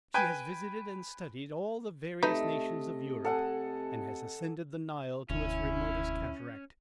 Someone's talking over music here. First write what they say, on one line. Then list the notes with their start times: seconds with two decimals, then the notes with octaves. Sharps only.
She has visited and studied all the various nations of Europe, and has ascended the Nile to its remotest cataract.
0.14 B4 G5 G#5
2.22 C3 A3 D#4 B4 D#5
3.25 A4 F#5 G#5
5.30 E1 D2 C#4 E4